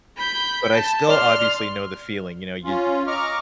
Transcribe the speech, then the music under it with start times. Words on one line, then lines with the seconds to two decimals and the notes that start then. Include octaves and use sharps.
but I still obviously know the feeling, you know, you'd
0.17 B5 G6
0.75 A5
1.09 D5 C6 F6
2.65 C#4 F4
3.07 D#5 A#5 C#6 D6 F6